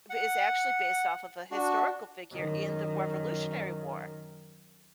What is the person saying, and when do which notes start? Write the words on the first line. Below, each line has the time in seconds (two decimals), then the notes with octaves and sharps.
is actually based off of a historical figure in the Revolutionary War.
0.10 F#5
1.51 D4 F#4
2.32 F#2 D#3